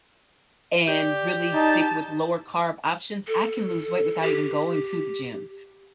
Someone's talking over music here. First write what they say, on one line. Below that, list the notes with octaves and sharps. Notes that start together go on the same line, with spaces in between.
and really stick with lower carb options, I can lose weight without even going to the gym.
G4 D5
D#4 A5
A4
G4